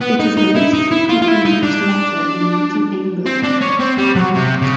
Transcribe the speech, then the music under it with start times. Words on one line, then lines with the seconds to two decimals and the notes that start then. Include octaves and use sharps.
It is the least frequently used letter in written English.
0.01 B3
0.19 D#4
0.37 D#4
0.55 E4
0.73 D#4
0.91 E4
1.09 F4
1.22 F4
1.28 E4
1.45 D#4
1.63 D4
3.26 C4
3.44 D4
3.61 C#4
3.80 C4
3.98 G3
4.16 F#3
4.35 C3
4.61 C#3